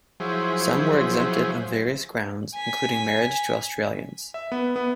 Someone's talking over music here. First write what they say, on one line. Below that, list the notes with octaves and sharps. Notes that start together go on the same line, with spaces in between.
Some were exempted on various grounds, including marriage to Australians.
F3 F#3 E4 G#4 C5
G#5 B6
E5
B3
B3